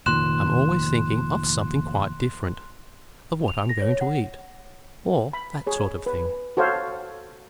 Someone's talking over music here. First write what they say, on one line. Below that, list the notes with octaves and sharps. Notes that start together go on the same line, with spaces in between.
I'm always thinking of something quite different,--of what I'm going to eat, or that sort of thing.
F1 A#2 D#3 C6 F#6 E7
F7
A#6
C#5
F#5
B5
G#4 C#5
B4
F#4 A4 C5 C#5 F5